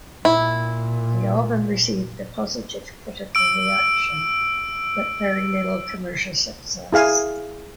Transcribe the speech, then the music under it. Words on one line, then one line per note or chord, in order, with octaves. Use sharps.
The album received a positive critical reaction but very little commercial success.
A#2 E4
E6 D7
E4 G#4 F5 G#5